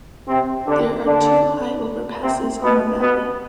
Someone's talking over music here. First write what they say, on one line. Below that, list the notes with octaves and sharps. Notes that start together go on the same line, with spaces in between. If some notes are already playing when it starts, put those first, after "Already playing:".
There are two high overpasses on the valley.
C3 C4
D3 D4
D3 D4
C3 C4
B2 B3
B2 B3